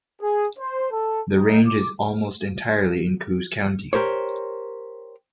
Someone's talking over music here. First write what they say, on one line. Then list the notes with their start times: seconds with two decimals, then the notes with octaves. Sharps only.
The range is almost entirely in Coos County.
0.22 G#4
0.59 C5
0.91 A4
1.36 D#4
1.67 D6
3.93 G4 A#4 C5 C#5